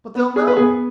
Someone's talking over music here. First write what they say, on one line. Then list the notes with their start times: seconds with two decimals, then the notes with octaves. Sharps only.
"But they'll know...."
0.15 B3
0.36 G#4
0.48 B4
0.57 B3 G#4